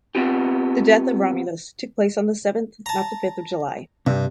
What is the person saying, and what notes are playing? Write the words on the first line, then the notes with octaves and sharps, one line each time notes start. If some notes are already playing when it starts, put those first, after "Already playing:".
The death of Romulus took place on the seventh, not the fifth, of July.
B3 C4 F4 G4
A5 A#5
G2 C3